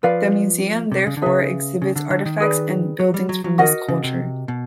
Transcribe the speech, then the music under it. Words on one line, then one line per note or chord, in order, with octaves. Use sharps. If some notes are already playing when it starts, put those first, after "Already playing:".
The museum, therefore, exhibit artifacts and buildings from this culture.
F3 B4 D5 F5
C3
C#3
D3
C#3 G#4 B4 E5
C#3
D3
D3
D#3
G#4 B4 D5
F#3
G3
F#3
F#3
D#3 F#4 A#4 D#5 F#5
C#3
C3
B2